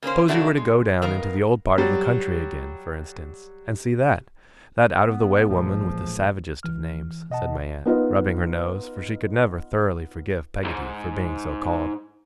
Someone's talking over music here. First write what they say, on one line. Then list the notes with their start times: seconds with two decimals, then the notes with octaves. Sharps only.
Suppose you were to go down into the old part of the country again, for instance, and see that--that out-of-the-way woman with the savagest of names,' said my aunt, rubbing her nose, for she could never thoroughly forgive Peggotty for being so called.
0.03 C#3 A#3 C#4 C5
0.28 C#3 F#3 A3 D4 E4 F#4
0.57 G#3
1.02 D#3 B3 A#4 F5 A#5
1.78 F#3 G3
5.05 B3
5.48 A1 A#2 F3 G#3
6.63 E3 F6
7.30 B2 D#5 F#5 A5
7.85 B3 D#4 F4 B4
10.64 C#2 G#2